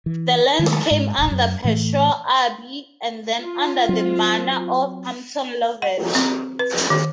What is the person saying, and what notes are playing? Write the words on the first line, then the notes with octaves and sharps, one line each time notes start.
The lands came under Pershore Abbey and then under the manor of Hampton Lovett.
E3
D#3 G#3
G#2
E1 A#1
F#2
A2 E3 F#3 A3
F4
F#3 C4
F#5
C4
B4
D#3